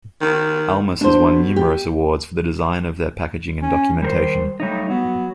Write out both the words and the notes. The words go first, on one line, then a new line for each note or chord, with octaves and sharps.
Almus has won numerous awards for the design of their packaging and documentation.
D#3
B2 D4 C5
G4
C#4
D#3 G3 A#4 C5
F#3 G3 A3 D#4
F#3 B3